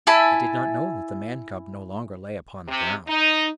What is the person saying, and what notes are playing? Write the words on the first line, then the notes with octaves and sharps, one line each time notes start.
I did not know that the Man-cub no longer lay upon the ground.
E4 G#5 A5 B5
C3
D#4